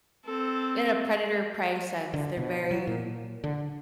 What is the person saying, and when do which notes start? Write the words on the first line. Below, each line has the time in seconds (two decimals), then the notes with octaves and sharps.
In a predator prey sense, they're very
0.25 C4 A4
2.14 D3
2.37 B2
2.71 F#3
2.87 A#2
3.44 D3